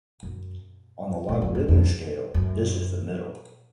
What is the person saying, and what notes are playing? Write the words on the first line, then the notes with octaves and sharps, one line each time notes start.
On the logarithmic scale, this is the middle.
F#2
G#2
G#2
F#2
F2
F#2